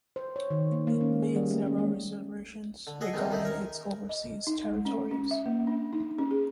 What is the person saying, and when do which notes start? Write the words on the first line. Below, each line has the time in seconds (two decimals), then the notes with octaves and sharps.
It made several reservations regarding its overseas territories.
0.16 C5
0.36 C#5
0.50 D#3
0.72 A#3
0.87 A#3
1.01 C#4
1.23 G#4
1.36 G3
1.51 A3
1.66 C#4
1.78 G#3
2.87 D3
3.01 F#4 G#4 A4 D#5
3.13 E2 A2 C3 G#3 A#3 C4
3.30 F#2 A2 D#3 D#4 E4
3.45 A#4 C#5
4.09 D#5
4.47 D#4
4.65 G#3
4.85 C#4
5.11 C#4
5.31 E5
5.46 A#3
5.67 D4
5.93 D#4
6.18 C#4
6.31 G#4